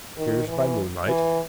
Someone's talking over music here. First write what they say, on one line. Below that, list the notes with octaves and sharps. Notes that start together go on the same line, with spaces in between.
Piers by moonlight.
D#3
E3
E3